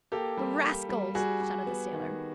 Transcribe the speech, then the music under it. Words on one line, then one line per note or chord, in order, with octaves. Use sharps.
"The rascals!" shouted the sailor.
A#3 G4 A4
G3
G3
G3
G3 F#4 G#4
G3
B3
D#3